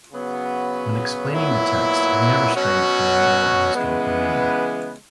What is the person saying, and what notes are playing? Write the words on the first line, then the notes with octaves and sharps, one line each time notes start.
When explaining the text, he never strayed from the literal and historical meaning.
C#3 F#3 B3 F#4
A#2 F#3 B3 E4
B2 F#3 C#4 F#4
C#3 E3 G#3 B3